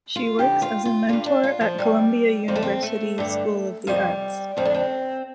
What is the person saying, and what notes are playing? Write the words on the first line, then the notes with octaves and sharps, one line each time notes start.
She works as a mentor at Columbia University School of the Arts.
F4
F2 D3 G4
F4
F4
G2 D3 F4
D4
F4
F3
F2 C3 G3
F2 D3 C4
A3
C4
A3
G2 D3
F2 C3 G3
F2 D3 C4
D4
C4